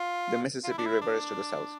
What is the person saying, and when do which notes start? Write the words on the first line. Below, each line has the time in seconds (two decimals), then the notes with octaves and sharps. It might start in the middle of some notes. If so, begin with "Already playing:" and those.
The Mississippi River is to the south.
Already playing: F4
0.64 F4
0.71 E4
0.78 D4
0.86 E4
1.02 D4